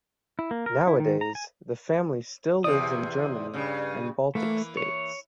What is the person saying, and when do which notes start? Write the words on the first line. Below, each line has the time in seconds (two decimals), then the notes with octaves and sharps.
Nowadays the family still lives in Germany and Baltic States.
0.39 E4
0.51 A#3
0.66 A#4
0.87 E4
1.00 D#3
1.21 A#5
1.35 G#5
2.64 E2 C3 D5 D#6
3.54 G2 C#3
4.35 E3 A3 A#3
4.77 C#5